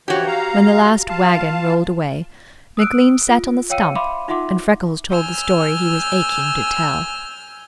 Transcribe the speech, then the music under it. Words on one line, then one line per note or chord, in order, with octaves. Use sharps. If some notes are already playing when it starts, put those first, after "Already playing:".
When the last wagon rolled away, McLean sat on the stump and Freckles told the story he was aching to tell.
E3 F3 F#4 G4 C#5
F5 A#5
F4 F5 A5
D#6 E6 F#6 D7
F4
C#5 F5 G5 E6 C#7 D#7
E5 F5 B5 C6 D6
D#4 F4 E5 F#5 C6 D6
G#5 E6 F6 G6